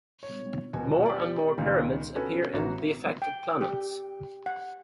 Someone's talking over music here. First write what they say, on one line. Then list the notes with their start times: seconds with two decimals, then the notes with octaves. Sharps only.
More and more Pyramids appear in the affected planets.
0.23 C#5
0.73 D#1 B2 F#4 G#5
1.05 G4 D5
1.58 C#2 A#2 D#3
2.15 C#4 F#4 A4 B4
2.54 A1 F#4 A#5
3.22 G5
3.61 G4
4.46 F#5